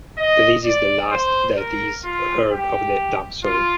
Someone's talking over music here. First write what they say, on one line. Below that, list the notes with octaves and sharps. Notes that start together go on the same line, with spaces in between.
This is the last that is heard of the Damsel.
D#5
D5
C5
A#4
F4
G4
F4